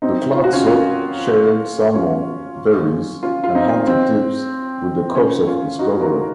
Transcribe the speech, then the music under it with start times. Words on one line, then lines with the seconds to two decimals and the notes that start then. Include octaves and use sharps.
The Clatsop shared salmon, berries, and hunting tips with the Corps of Discovery.
0.02 C4 D#4
0.34 F4
0.44 F#4
0.53 C#4 F4
0.67 C#4 F4
1.94 C#4 F4
3.23 C#4 F4
3.44 F4
3.55 C4 D#4
3.87 C4
5.15 C#4
5.47 C#4 F4
5.79 D#4 F#4
6.01 F#4 A#4